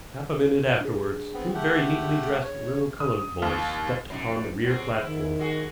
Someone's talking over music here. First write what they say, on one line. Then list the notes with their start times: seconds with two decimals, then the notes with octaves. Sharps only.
Half a minute afterwards two very neatly dressed little colored boys stepped upon the rear platform.
0.81 D4 G#4
1.34 B3 C4
1.55 A3 G4 F#5
2.43 C#5
3.00 D#6
3.42 D#2
4.10 F2 D4 D#4
4.64 F#3 G#3 C4
5.01 D#3 E4
5.39 G#3 F#4 G#4